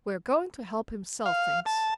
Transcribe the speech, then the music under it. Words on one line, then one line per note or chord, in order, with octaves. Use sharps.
"We're going to help him sell things."
F5
A5